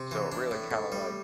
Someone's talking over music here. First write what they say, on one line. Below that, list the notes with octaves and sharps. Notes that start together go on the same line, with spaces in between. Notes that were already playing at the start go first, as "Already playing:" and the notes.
So it really kind of like,
Already playing: C3
E3
D4
A2
A2
G3